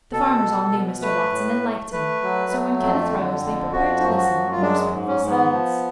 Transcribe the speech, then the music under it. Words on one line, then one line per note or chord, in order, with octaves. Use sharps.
The farmers all knew Mr. Watson, and liked him; so when Kenneth rose they prepared to listen in respectful silence.
B2 A4
B2
B2
A3 B4
A2
A3
A3 B4
F#3
A3
F2
D3
F2
F3 F#4
F#2
F#4
F#2
F4
G#3 D4
G#2
C#4
G#2
B3
F3